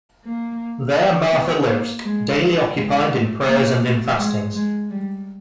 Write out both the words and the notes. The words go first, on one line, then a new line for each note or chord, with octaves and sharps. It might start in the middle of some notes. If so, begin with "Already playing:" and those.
There Martha lived, daily occupied in prayers and in fastings.
A#3
B3
A#3
G#3
G#3
A3
A#3
A3
G#3
G#3
G3